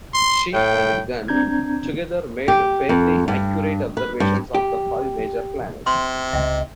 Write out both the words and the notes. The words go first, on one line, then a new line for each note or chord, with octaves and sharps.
Shi and Gan together made fairly accurate observations of the five major planets.
C6
A2 G5
C4 D4 A#5 G6 G#6
G4
F2
G2
B4
G2
G4
C3 C6
C#2 D#5 E5 G5